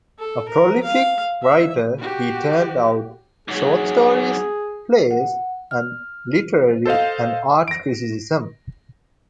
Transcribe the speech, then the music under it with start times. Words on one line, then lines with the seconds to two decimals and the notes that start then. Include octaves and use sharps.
A prolific writer, he turned out short stories, plays, and literary, and art criticism.
0.19 A4
0.48 A#4
0.83 F5
1.43 E5
1.99 F#4 G4
3.48 G#2 F#3 G#4
5.11 F#5
5.71 F6
6.86 A4 C5 D#5 F5
7.68 A#6 D7